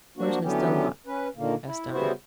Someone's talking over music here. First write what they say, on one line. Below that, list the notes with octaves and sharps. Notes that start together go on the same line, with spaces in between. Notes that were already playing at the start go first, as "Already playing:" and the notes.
"Where's Miss Dunlop?" asked I.
F3 A#3 D4 F#4
D3 E3 F#3 B3 C#4 G4
C#4 B4
A#2 D3 D#3 A#3
E4
C#3 G3 B3 E4 F#4 C5